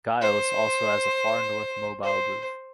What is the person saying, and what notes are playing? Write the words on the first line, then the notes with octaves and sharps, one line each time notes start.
Giles also has a far north mobile booth.
C5
C5